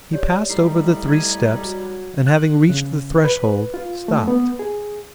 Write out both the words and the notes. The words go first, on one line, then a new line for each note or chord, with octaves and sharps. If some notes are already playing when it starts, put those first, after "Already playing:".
He passed over the three steps; and having reached the threshold, stopped.
G4 C#5 D5
A2 G3 D#4 C7
D#4 G#6 D#7
F#3
F#6
C#3
B4
F4
A3
B3
G#4